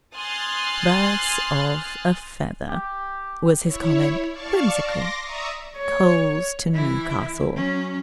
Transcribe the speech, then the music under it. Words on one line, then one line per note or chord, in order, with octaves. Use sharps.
"Birds of a feather," was his comment, whimsical; "coals to Newcastle!"
G#5 C6 D#6 F6 F#6 A6
G4
E4 C#5
D5 F5 A5 C#6
C6 D6 A#6
D5 E5 A#5 C#6 D#6
C#5
E3 E4
F#3 C#4